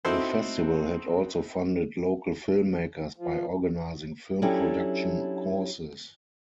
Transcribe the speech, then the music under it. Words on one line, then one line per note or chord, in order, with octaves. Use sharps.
The festival had also funded local filmmakers by organising film production courses.
C4 D#4 E4 F#4 A4 C5
F3
F#3 C#4 D4 E4 G4 A4